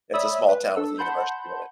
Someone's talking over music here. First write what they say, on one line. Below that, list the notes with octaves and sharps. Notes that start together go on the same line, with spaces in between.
It's a small town with a university in it.
C#5 D5 E5 B5 D#6 E6
B4
D4 A4 E6
F#5 A5 B5 C6 G6